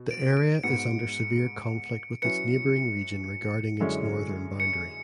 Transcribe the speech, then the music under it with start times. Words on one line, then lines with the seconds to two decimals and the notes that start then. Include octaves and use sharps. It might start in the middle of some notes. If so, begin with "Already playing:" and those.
The area is under severe conflict with its neighbouring region regarding its northern boundary.
Already playing: B2
0.11 D7
0.37 D7
0.64 G#2 G#3 B3 F#4 C#7
2.22 F#3 C#4 E4 B4 C#7
3.80 F#2 D3 G#3 C#4 E4
4.60 C#7